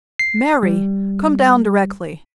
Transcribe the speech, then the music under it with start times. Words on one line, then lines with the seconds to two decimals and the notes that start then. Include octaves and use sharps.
"Mary! come down directly."
0.19 C7
0.63 G3